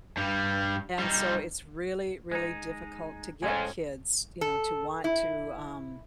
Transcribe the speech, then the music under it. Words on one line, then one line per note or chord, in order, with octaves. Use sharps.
and so, it's really, really difficult to get kids, you know, to want to, um
G2 G3
G3 D#4
G#3 D#4
F2 A2 G#3 C#4 G#5
A4
E4